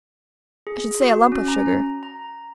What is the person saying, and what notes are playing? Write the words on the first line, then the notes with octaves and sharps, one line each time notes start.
I should say a lump of sugar.
G#4
F#4
C#4
A#5
A#5